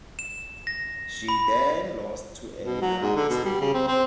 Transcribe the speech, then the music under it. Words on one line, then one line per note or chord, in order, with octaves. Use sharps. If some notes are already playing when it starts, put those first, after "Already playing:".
She then lost to Elena Vesnina.
E7
A#6
B5
B2
F#3
G#2
D3
B2
G3
C#3
C4
C4